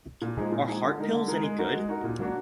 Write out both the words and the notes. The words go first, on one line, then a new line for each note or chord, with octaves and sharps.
Are heart pills any good?
A#2
F3 G#3 D#4 G#4
A#2
F3 G#3 D#4 G#4
D3
G#3 D#4 A#4
D3
G#3 D#4 A#4
G#3
D#4 F#4 A#4
G#3
D#4 F#4 A#4
A#2
F#3 A#3 D4 F#4